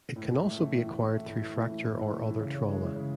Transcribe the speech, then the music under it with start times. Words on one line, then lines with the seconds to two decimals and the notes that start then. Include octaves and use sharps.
It can also be acquired through fracture or other trauma.
0.16 A2
0.30 A2
0.43 A3
0.58 E3
0.73 A2
0.86 A2
1.01 A3
1.14 E3
1.28 A2
1.42 A2
1.56 A3
1.69 E3
1.84 A2
1.98 A2
2.12 A3
2.26 E3
2.40 C#3
2.54 C#4
2.69 G#3
2.82 E3
2.96 C#3